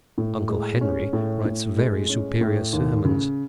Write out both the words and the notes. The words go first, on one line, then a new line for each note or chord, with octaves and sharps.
Uncle Henry writes very superior sermons.
A2
G#3
C#4
A2
A2
G#3
C#4
A2
D#2
C#3